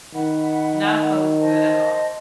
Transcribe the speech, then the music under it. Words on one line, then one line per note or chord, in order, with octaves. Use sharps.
Not opposed to it at all.
D#3 F#5 B5
C5 D#5 A5